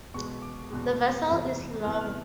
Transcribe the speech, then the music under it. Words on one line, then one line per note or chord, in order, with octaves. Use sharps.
The vessel is long.
E2 B2 G#3 C#6
D6
E2 B2 G#3
E2 C3 E3 A3
E2 C3 E3 A3 F6
F#6
F6